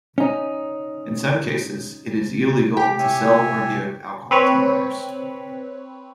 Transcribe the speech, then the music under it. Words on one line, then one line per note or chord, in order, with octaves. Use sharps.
In some cases, it is illegal to sell or give alcohol to minors.
C#4 D#4
C3 B3 G4 G5 D6
C#5 E5 G#5
C4 B4 C#5